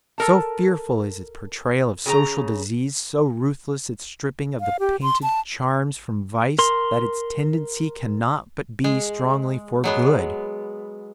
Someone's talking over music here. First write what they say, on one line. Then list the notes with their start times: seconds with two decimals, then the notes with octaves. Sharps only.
So fearful is its portrayal of social disease, so ruthless its stripping of the painted charms from vice, that its tendency cannot but be strongly for good.
0.18 A4 A#4 A5
2.06 C#3 G#4 A#5
4.60 F5
4.80 G4
5.02 C6
5.23 A5
6.59 A#4 C6
8.84 G#3
9.84 F#3 G#3 B3